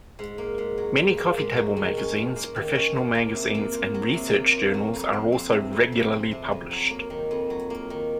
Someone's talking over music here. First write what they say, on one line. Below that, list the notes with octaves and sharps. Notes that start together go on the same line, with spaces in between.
Many coffee table magazines, professional magazines and research journals are also regularly published.
G#2
A#3
G#2
F#3
G#2
A#3
G#2
F#3
D#3
C#4
F4
A#3
D#3
C#4
F4
A#3
C3
A#3
F4
F#3
C3
A#3
F4
F#3
F2
F3
C4
C3
F2
F3
C4
C3
F2
F#3
A#3
D#3
F2
F#3
A#3
D#3